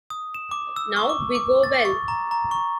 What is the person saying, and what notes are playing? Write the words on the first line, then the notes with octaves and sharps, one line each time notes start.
Now we go well!
D#6
E7
D6
E6
C#6
D6
D6
A6
C#6
A#5
A#5
C#6